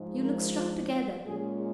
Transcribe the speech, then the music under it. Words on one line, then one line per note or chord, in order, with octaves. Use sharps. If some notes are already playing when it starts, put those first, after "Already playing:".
You look struck together.
Already playing: G#2 F3 G#3
A#4
F4
F4
A#2 G#3 C#4 G#4